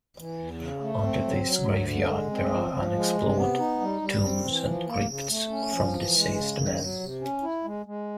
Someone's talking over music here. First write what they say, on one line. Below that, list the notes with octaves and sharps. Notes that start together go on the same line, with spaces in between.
Under this graveyard there are unexplored tombs and crypts from deceased men.
E3
E2
C#3
A3
C4
F#3
F#3
D2
D3
G#3
C4
F3
F3
G#3
C3
B3
D#4
G3
G3
C4
E3
F3
A#3
C#3
A3
C#4
F3
E3
G#3
C#3
D#3
F#3
C3
C#4
E4
G#3
G#3